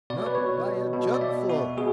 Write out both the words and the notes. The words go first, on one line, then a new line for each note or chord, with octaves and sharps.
"Not by a jugfull!"
B2 D5
C#5
B4
B2 C#5
B2
B2
D5
B2 E5
B2 F#4
B2 G#4